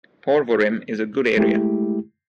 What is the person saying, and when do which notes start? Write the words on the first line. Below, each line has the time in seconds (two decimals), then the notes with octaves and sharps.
Porvorim is a good area.
1.37 G#3 A3 E4 G4